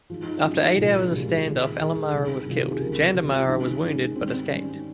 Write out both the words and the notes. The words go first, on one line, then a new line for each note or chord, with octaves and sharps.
After eight hours of standoff Ellemarra was killed, Jandamarra was wounded but escaped.
G#2 F3 G#3 F4
D#4
C#4
G#2 F3 G#3
D#4
C2 A#2 G#3 F4
F4
C2 A#2 G#3 G4
D#2 D#3 G#3
D#2 D#3 G#3 G#4
C2 C3 D#3
C2 C3 D#3 F4
G4
G#4
C#2 C3 F3 A#4
C#2 C3 F3 G4
F4
D#4
G#2 D#3 G#3 C#4
G#2 D#3 G#3 C#4
G#2 D#3 G3 C4
C4
G#2 D#3 G3 C#4